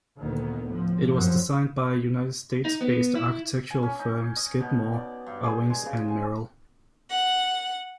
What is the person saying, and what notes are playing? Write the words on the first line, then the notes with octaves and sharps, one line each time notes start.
It was designed by United States-based architectural firm Skidmore, Owings and Merrill.
D2 A#2 D#3 B3
A2 F3
F#2 C3 F3
D#4
B3
E4
G#5
C#4
D#4
D#5
B2
D5
G2
G#4
G#3
C#3
G#5
F#5